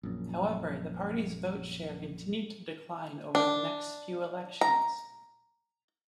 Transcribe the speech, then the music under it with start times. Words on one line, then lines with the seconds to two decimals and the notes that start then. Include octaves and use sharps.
However, the party's vote share continued to decline over the next few elections.
0.03 A#1 F#2
3.35 D4
4.61 A#5